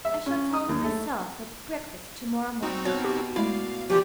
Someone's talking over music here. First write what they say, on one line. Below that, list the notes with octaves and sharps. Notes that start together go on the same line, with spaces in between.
I shall tell him myself at breakfast to-morrow morning.
E5
C#4
D#6
D#2
A3
C4 D#4 F#4
B2 C#5 F5 F#6
G4
G#3 A3 E4 D5 F5
E3 F3 F4 G4 D5